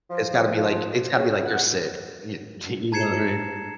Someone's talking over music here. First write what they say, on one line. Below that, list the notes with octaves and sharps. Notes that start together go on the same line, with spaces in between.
It's gotta be, like it's gotta be, like, you're sick, you you know what I mean.
F3
C#3
F#5
A5 A#5 G#6 C7 C#7 E7